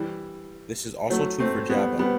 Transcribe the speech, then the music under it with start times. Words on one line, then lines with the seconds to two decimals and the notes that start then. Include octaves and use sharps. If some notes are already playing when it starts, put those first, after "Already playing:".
This is also true for Java.
Already playing: E3 G3
1.10 F#3 A3
1.40 A3 C4
1.69 G3 B3
1.99 G3 B3